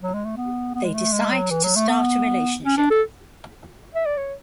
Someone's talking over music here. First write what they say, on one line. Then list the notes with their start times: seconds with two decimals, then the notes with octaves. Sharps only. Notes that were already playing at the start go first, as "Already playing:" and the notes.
They decide to start a relationship.
0.03 F#3
0.14 G#3
0.25 A3
0.37 B3
0.75 B3
0.84 G#3
0.94 A3
1.12 G#3
1.32 F#3
1.50 E3
1.64 F#3
1.76 A3
1.89 B3
2.65 C#4
2.77 D4
2.91 A4
3.95 E5
4.06 D5
4.17 C#5